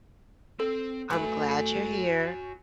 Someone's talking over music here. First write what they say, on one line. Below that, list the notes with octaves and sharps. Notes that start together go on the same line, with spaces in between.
I'm glad you're here.
C4 A4
A3 F#4 B4 G#5